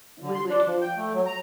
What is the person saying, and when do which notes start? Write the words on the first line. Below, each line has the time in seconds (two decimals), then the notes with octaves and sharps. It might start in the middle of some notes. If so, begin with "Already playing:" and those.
we would
0.22 D3
0.35 C6
0.49 D4
0.67 F3
0.81 G5
0.97 A3
1.14 F#3
1.26 A#5